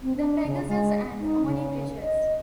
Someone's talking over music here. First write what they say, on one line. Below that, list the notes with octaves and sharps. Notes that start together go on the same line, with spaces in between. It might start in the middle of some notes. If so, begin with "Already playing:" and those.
The Pegasus and Orne Bridges.
C4
D4
C#3
G#3
D#4
C#3
D#5